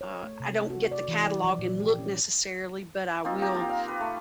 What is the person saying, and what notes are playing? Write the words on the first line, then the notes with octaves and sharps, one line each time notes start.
uh, I don't get the catalog and look necessarily, but I will
C#5
A3
C3
A4
F#4
D5
E3
D5
F3
A#2
G4
C#4
A#3 C4 D#4 F4
G4 A#4 G5 A#5
A#3 F4
F5
B4
A3